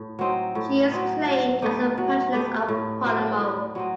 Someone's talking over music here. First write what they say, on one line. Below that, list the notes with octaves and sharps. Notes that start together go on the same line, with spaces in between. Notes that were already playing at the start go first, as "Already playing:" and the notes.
She is claimed as the patroness of Palermo.
Already playing: A2
F#3 C4 D#4
A2
F#3 C4 D#4
F#3
A3 D#4 G4
F#3
A3 D#4 G4
A2
F#3 C4 D#4
A2
F#3 C4 D#4